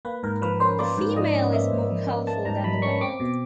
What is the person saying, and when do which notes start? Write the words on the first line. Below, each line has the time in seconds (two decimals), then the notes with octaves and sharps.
The female is more colourful than the male.
0.05 A#3 B4
0.23 G#2 A#4
0.42 F3 B4
0.60 C#4 C5
0.79 A#3 D5
0.97 G#2
1.16 F3 D#5
1.35 C#4
1.53 A#3 E5
1.71 G#2
1.90 F3
2.08 C#4
2.27 A#3 A5
2.45 G#2 A#5
2.64 F3 B5
2.82 C#4 C#6
3.01 C4 D6
3.20 B2